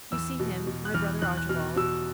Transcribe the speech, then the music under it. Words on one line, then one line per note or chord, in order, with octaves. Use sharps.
"You see him--my brother Archibald?"
E2 E6
B2
B2
F#6
E2 F6
E2 F#6
F#6
B2 F6
B2 E6